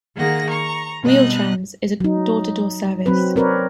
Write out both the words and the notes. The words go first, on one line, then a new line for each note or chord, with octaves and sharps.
Wheel-Trans is a door-to-door service.
D#3 A#3 G#4 F#5 A#6
A#5 C#6
B2 G3 B3 D#4 D#5 F#6
F#3 D#4
F#3 C4 B4
C4 A#4 B4 C#5 D5